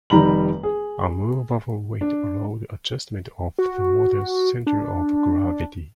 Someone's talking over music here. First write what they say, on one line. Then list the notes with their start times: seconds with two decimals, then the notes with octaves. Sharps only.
A movable weight allowed adjustment of the model's centre of gravity.
0.10 F1 D#3 G3 A#5 B5 F#7
0.63 G#4
2.01 D4
3.59 F#4
4.67 D4